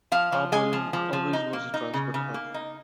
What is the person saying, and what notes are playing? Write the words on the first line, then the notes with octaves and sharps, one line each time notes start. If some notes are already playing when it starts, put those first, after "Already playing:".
Auburn always was a transport hub.
F3 F5
F3
G#3 G#5
F3
F3
F3
D#4
A#3
D#4
C#3
C#3
A#3
D#4